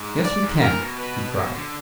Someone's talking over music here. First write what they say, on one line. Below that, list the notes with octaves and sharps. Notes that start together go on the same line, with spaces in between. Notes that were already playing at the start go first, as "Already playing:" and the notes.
"Yes, we can!" he cried.
Already playing: G#2
D5
G#2
A#2 A#4
B2
B4
B2
D3